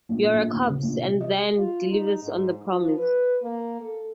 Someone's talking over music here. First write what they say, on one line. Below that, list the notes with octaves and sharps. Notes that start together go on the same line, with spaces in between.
You're a corpse and then delivers on the promise.
A#1
A#1
D#2
C#3
A#1
C3
D#5
F4
D#4
G#2
F3
B4
A#3
A4